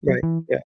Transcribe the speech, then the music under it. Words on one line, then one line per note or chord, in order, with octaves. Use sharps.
Right, yeah.
F#3
E3